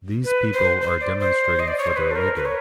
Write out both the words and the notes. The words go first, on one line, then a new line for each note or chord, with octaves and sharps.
These people are demonstrating for their leader.
B4
C5
C5
D5
C5
D#5
D5
C#5
C5
B4
A4
A#4
B4
C#5